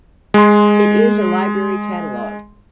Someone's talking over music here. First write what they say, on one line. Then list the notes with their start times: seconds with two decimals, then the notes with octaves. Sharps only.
It is a library catalog.
0.34 G#3 C6